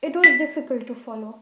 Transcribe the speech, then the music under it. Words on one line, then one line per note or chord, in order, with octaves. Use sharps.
It was difficult to follow.
B6